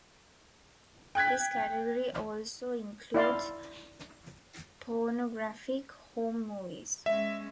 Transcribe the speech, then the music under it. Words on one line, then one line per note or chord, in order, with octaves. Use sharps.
This category also includes pornographic home movies.
G5 F#6 G#6 B6
E4 D5 F5 C6
G#3 C#4 E5